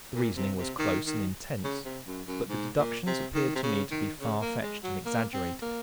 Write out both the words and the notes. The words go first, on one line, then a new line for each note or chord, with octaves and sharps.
The reasoning was close and intense, but the deductions appeared to me to be far-fetched and exaggerated.
A#2
C3
C3
D#3
D#3
C#3
C3
F#2
F#2
G#2
A#2
C3
D#3
C3
C#3
D#3
C#3
A#3
G#3
F#3
A#3
C4
A#3